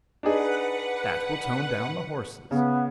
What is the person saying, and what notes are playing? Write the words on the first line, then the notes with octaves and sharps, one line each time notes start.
That will tone down the horses.
D4 D#4 G#4 B4 F#5
C#3 B3